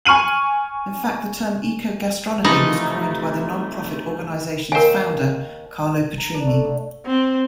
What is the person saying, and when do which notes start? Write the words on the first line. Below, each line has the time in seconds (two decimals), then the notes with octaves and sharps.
In fact, the term eco-gastronomy was coined by the non-profit organization's founder, Carlo Petrini.
0.05 G#5 C#6 F6 D#7 F#7
2.45 C3 E3 F3 A3 D#4 B5 F#7
4.72 D#2 A#4 C5 G#5
6.18 A#5
6.34 D4
6.47 A3
6.65 D3
7.06 C4